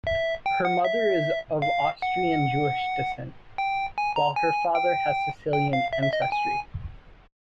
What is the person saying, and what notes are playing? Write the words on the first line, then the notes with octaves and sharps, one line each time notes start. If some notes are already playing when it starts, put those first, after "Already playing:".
Her mother is of Austrian Jewish descent, while her father has Sicilian ancestry.
E5
G5
F#5
E5
F5
F#5
G5
G#5
A#5
G#5
G5
G5
F5
E5
E5
D#5
G5
G#5